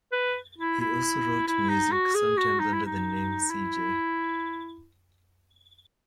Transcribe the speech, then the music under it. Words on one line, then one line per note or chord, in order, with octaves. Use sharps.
He also wrote music, sometimes under the name C. J.
B4
E4
E4
E4
D#4
F#4
G#4
F#4
D#4
E4
D#4
E4